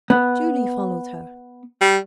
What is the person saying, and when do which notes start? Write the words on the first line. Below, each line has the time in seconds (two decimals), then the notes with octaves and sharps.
Julie followed her.
0.10 B3
1.81 G3